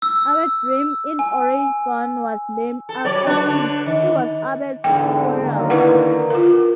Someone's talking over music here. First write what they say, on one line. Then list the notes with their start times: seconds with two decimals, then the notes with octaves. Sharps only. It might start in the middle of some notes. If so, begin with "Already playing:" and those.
Abert Rim in Oregon was named after him, as was Abert's Squirrel.
0.02 E6
1.19 G#5
2.89 A4
3.05 F#3 C#5 D5
3.26 D4 F#4 B4
3.44 D3
3.86 D#3
4.84 E2 G#2 D3 G5
5.40 D3 D#3 A#3
5.70 E4 B4 F#5
6.30 F4 A#4